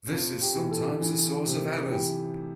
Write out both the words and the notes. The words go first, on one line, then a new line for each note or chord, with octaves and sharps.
This is sometimes a source of errors.
F2 F4
G4
E3
A4
E3
C3
E3 G4